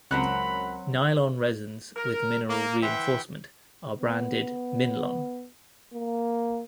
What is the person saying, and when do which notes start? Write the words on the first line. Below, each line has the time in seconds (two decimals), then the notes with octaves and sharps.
Nylon resins with mineral reinforcement are branded 'Minlon'.
0.11 C#2 F#2 F#3 C4 C#4 F#5 A#5 B5
1.96 A#4
2.49 A#3
2.83 E3 C5 E5 F#5 G5
4.00 B3
5.94 A#3